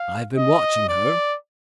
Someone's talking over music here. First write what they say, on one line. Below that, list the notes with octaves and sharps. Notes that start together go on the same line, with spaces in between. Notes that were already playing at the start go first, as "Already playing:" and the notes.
I have been watching her.
Already playing: F5
D#5
D5